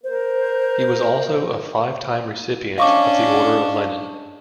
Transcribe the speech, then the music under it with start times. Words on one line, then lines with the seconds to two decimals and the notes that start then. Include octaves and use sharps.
He was also a five-time recipient of the Order of Lenin.
0.04 A#4 C5
2.78 C#4 D4 D#5 F5 C#6 D6